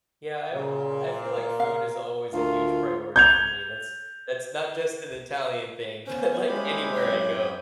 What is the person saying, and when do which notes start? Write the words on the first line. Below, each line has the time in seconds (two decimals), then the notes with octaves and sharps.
Yeah, I alw I feel like food is always a huge priority for me, that's that's not just an Italian thing but, like, anywhere I go,
0.52 A#2 C#3
1.23 A#4
1.60 F5
2.33 D2 F4 A#4 F5
3.16 G6 G#6 F7
6.07 B3 C#4 C5
6.48 G3 G#3 A#3 C#4 E4 G4 B5
6.94 F#2 C4 C#5